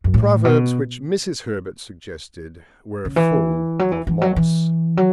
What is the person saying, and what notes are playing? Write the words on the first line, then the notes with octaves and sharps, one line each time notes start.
The proverbs which Mrs. Herbert suggested were full of moss.
F#2
A2
B2
C#3
E3
F#3
E3
E3
F#3
E3
F#3